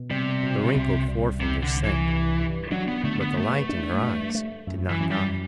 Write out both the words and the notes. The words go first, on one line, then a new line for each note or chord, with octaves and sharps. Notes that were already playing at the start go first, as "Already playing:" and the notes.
The wrinkled forefinger sank, but the light in her eyes did not die.
Already playing: B2
C3 G3
B2
C2
G3
C2 C3
D3
C2
E3
G2
G2
F#3 D4
B3
D3 A3
B3
G2 A3
D4
G2
A3
F#2
E3
F#2
G3